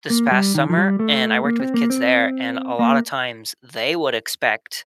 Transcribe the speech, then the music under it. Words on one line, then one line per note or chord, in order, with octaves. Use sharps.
this past summer, and I worked with kids there. And a lot of times, they would expect,
A#3
G3
D#3
F3
G3
A3
A#3
C4
A#3
C4
A#3